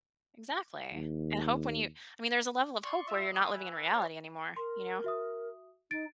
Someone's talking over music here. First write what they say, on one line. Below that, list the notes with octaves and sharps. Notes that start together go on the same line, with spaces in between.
Exactly, and hope when you I mean, there's a level of hope where you're not living in reality anymore, you know?
D#2
D5 C6 C#6
C4 F4 E5
B2 D3 E3 A#3 D#5 D#6
E3
D#4 F4 G4 A#4 B4 C#5
A#4 C6
F#4 E5 D#6
D#4 A6 D7